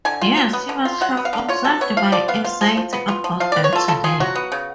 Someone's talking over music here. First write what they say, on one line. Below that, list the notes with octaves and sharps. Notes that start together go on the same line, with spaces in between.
Yes; you must have observed my anxiety about them today.
D3 G#5
F4
F#3
B3
D3
F4
F#3 F#5
B3
F5
D3
F4 C#5
F#3 A4
B3 C#5
F3 F5
F3 D5
B3 F5
F4 F5
F3
F3
B3
F4
F3
F3 F5
B3 D5
C#5
F4 A4
C#3 A4
F4 G#4
F#3 F#4
B3
C#3